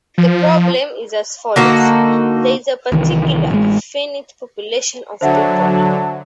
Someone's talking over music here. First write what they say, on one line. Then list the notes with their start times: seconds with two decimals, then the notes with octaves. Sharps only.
The problem is as follows: There is a particular, finite population of people.
0.18 F3
1.56 D3 A#3 D#4 F#4
2.92 C2 D#3 E3
3.50 A1 G#3
5.21 D3 F#3 C5 E5 F#5 A5